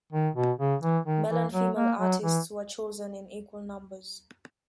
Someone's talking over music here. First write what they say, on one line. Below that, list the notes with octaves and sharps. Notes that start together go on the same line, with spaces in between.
Male and female artists were chosen in equal numbers.
D#3
B2
C#3
E3
D#3
E3
F#3
A#3
F#3
E3